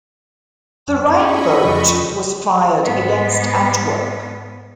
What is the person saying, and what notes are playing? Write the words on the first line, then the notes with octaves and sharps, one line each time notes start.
The Rheinbote was fired against Antwerp.
F#2
C#4 D#4 E4 D#5 B5 C#6
F2 C#3 G#3 A3 B4
G#2 B3